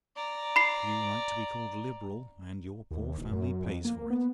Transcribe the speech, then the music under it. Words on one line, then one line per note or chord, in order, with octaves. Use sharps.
You like to be called liberal--and your poor family pays for it.
D5 A#5
B5 C7
D#2
E1
F#2
F2
A#3
B3